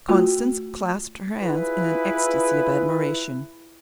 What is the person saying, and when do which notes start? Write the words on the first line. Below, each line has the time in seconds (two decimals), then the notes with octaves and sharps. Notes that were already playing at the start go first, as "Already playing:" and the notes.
Constance clasped her hands in an ecstasy of admiration.
0.09 A3 F4 F#4
1.41 E4 F4 G#4 B4